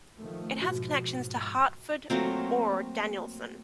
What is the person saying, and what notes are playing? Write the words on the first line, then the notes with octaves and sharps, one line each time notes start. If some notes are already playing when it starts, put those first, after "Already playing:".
It has connections to Hartford or Danielson.
D#3 F3 A3
G#2 B2 F3 F#4
F#3 A3 A#3 C4